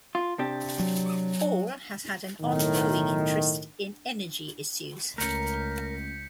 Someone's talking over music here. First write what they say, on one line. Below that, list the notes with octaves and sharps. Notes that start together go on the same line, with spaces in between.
Hall has had an ongoing interest in energy issues.
F4
C3 D4 G4
F#3
B1 A2 D#3
C#2 A3 C#4 A#4 G6 B6 C#7